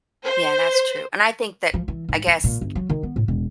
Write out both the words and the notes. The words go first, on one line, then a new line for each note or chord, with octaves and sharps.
Yeah, that's true. And I think that, I guess,
C5
F3
E3
G#2
E3
A#2
G1
F#3
D#3
B3
A2
E1